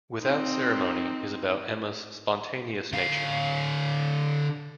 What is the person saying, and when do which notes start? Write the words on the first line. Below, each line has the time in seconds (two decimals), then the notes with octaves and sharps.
"Without Ceremony" is about Emma's spontaneous nature.
0.19 C4 D#4
2.93 D3 F5